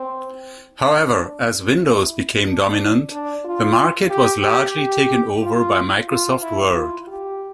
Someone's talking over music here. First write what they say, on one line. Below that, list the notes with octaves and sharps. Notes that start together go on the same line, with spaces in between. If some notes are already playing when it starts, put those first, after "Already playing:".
However, as Windows became dominant, the market was largely taken over by Microsoft Word.
Already playing: C4
D4
E4
D4
D4
F4
G4
G4
G4
F4
F4
E4
F4
G4